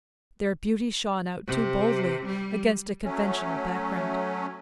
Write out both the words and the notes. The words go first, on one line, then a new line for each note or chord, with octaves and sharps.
Their beauty shone out too boldly against a conventional background.
C3
G3
F#3 A3 C#4